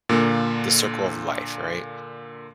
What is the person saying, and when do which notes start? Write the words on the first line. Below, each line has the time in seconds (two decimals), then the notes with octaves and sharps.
the circle of life, right?
0.09 A#2 D3 A#3